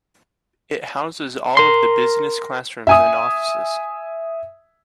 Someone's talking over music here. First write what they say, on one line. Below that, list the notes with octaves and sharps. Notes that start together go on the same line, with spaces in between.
It houses all of the business classrooms and offices.
A#4 C6
E5 G#5 D#6